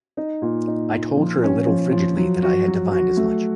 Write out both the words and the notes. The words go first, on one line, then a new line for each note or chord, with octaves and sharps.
I told her a little frigidly that I had divined as much.
D#4
A#2
D#4
A#2
F3
C#4
F3
F3
F#3
F#4
F#3
F#4
A3